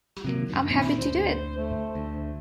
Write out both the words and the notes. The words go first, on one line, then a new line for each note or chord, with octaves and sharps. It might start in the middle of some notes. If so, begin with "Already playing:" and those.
I'm happy to do it.
C3 F#3 A#3
F#2
A#2 C4 E4
D2 C5
A3
D2